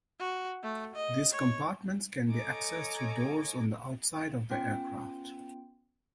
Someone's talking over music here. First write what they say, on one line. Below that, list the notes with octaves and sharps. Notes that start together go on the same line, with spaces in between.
These compartments can be accessed through doors on the outside of the aircraft.
F#4
A3
D#5
C#5
A4 C#5 D#5 G#5 A#5 D6
B3 C#4 F4 G5 D7